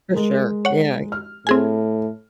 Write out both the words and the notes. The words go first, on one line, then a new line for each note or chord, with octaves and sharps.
For sure, yeah, m
G#3 A#4
C#5 F#5
F6
A2 C4 G#4 G#5